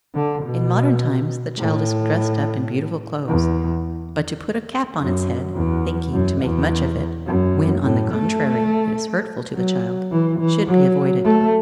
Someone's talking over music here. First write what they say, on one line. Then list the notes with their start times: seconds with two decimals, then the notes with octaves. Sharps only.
In modern times the child is dressed up in beautiful clothes; but to put a cap on its head, thinking to make much of it, when, on the contrary, it is hurtful to the child, should be avoided.
0.15 D3
0.44 B2
1.58 A2
3.28 E2
4.99 F#2
5.55 E2
6.12 F#2
6.42 E2
7.26 F#2
7.84 A2
8.12 A3
9.54 F#3
10.11 E3
10.40 E3
10.68 F#3
11.25 A3